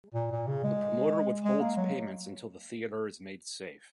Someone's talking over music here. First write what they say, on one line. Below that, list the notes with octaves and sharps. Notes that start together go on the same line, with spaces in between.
The promoter withholds payments until the theatre is made safe.
A#2
A#2
C#3
G#3
G#3
A#3
F#3